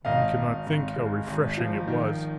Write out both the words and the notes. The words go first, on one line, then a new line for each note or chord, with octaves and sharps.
One cannot think how refreshing it was.
G#1 D#5 F5
G#1
G#1
G#3
G#1
F3
D#3